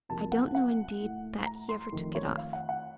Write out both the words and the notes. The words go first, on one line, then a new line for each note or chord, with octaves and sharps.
I don't know indeed, that he ever took it off.
F2 C3 F#3 A#3 A5
F#5
F#5
A2 A3
A#5
C6
F2 D#3 A3
C#5
F5
F#5
F#5